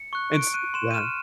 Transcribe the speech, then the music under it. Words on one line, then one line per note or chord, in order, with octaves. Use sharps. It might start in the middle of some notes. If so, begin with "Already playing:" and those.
It's yeah.
Already playing: C#7
C#6 F#6
C#6 D7
F#6 D#7
C6 E7
D#7
F6 E7